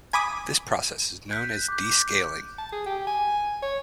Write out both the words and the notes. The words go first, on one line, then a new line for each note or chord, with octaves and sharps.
This process is known as descaling.
G#5 B5 D6 D#6
F#6 G6 B6
D6 G6
A5
G#4
G4
G#5
C#5